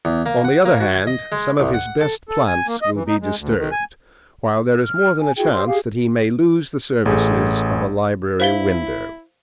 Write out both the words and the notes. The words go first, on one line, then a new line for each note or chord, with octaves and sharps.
On the other hand, some of his best plants will be disturbed, while there is more than a chance that he may lose the services of a library window.
E2
A#3
F#5
A#3
F#4
G#5
D#5
G#3
C2
F#5
A4
A4
G#5
A#3
D#5
E3
D#4
G#3
D2
D#3
G#5
F6
G#5
E4 F#4 G#4 G5
G4 C5 D5 C6
G4 G#4 F5
A1 G#4 A4
E4 C5 F5 G7